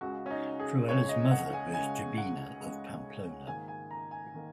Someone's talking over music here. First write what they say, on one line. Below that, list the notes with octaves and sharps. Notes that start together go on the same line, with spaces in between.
Fruela's mother was Jimena of Pamplona.
C#2 C#3 G#3 F#4
C#4
D#4
G#4
C#2 C#3 G#3 C#5
D#5
F#5
G#5
C#2 C#3 G#3 G#5
F#5
C#2 C#3 G#3
G#2 D#3 A#3 G#5
G#5
A#5
G#5
D#3 A#3